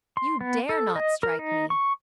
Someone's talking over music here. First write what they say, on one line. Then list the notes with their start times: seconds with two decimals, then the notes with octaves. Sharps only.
You dare not strike me!
0.17 C6
0.41 B3
0.69 A4
0.96 D#5
1.23 A#4
1.39 D#4
1.70 C#6